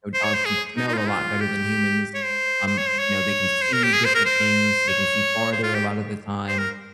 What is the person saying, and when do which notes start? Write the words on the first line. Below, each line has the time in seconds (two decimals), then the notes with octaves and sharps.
you know, dogs can smell a lot better than humans. Um, you know, they can see different things. They can see farther a lot of the time.
0.14 C5
0.24 C#5
0.34 C5
0.46 G#4
0.77 D#4
0.87 D#4
0.94 F4
0.98 D#4
1.09 F4
1.40 G4
2.14 C#5
2.25 C5
2.67 C5
2.78 C#5
2.89 C5
2.99 C#5
3.62 C5
3.73 A#4
3.83 G4
3.93 G#4
4.05 C5
4.15 A#4
4.26 C5
4.89 C#5
5.53 C5
5.63 F4
5.74 G4
6.48 C5
6.58 A#4